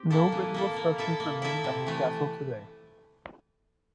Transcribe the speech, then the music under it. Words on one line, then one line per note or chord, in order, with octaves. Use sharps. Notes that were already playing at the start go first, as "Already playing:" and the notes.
No visible structures remain of the castle today.
Already playing: C4 G4
A#3 E4 A4
E3
A#3 E4 A4
A#3
E4 A4 E5
A#3
E4 A4 E5
C3
E3 A3